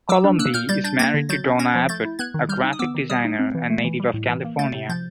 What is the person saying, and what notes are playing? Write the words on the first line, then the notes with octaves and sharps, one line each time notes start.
Colomby is married to Donna Abbott, a graphic designer and native of California.
F#3 D6 E6
D4
A#3 E6 F#6
A#2 F6 G6
G3 G6 A6
D4 G6 A6
A#3 G#6 A#6
D3
F#3 G6 A6
C#4
C#4 G#6 A#6
F3
A3 G6 A6
E4
B3 F#6 G#6
D#3
G3 F6 G6
D#4
D#6
B3 D6 E6
D#3
G3 D#6 F6
D#4
C4
E3
A3
E3
G3
A2
E3
A#3
A3 G6 A6
C3
F3 G6 A6